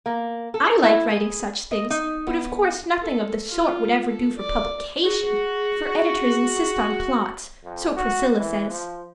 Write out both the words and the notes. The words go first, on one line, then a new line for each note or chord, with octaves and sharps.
I like writing such things, but of course nothing of the sort would ever do for publication, for editors insist on plots, so Priscilla says.
A#3
A4
E4
G#4
D#5
D#4
B3
A4
F4
A4
D5
F#4 G#4
F2
F#4
E3
F3